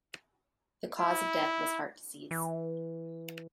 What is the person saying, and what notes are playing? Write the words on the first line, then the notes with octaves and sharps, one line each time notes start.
The cause of death was heart disease.
E4
E3